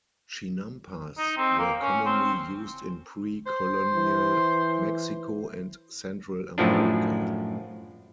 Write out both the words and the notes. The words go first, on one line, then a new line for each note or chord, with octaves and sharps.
Chinampas were commonly used in pre-colonial Mexico and Central America.
D#4
C4
A#3
C#4
C4
C5
E3
F#2 A2 F3 D4